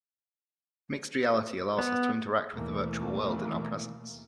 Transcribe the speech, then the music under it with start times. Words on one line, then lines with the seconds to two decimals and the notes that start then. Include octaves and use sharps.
Mixed reality allows us to interact with the virtual world in our presence.
1.79 B3
2.53 D#2 B2 E3 A3 A#3